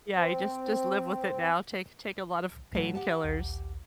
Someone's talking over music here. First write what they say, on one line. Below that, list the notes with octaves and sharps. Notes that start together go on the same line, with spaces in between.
Yeah, he just just live with it now, take take a lot of painkillers.
C4
A2 F#3 A3
G4 F#5 A5
A#1 D#2